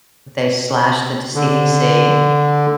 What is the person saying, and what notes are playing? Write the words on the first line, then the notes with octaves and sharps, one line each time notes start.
they slashed the CDC,
D3